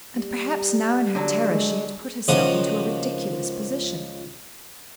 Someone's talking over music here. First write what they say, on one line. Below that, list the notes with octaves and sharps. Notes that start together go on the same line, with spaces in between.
And perhaps now in her terror she had put herself into a ridiculous position.
G3
D3 F#3
G#3
C#2 D#3 F3 F#4 D#6